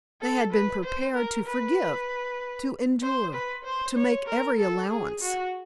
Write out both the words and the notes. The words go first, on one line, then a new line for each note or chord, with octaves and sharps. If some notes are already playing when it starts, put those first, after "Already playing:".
They had been prepared to forgive, to endure, to make every allowance.
A4
B4
C5
A#4
B4
C5
B4
C5
C#5
A#4
A4
G#4
F#4